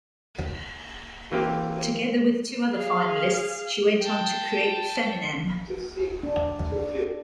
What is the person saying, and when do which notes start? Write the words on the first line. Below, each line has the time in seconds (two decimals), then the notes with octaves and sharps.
Together with two other finalists, she went on to create Feminnem.
1.32 E3 A#3 C4 G4
2.71 G#4 F5
4.01 G5 A5
6.23 D4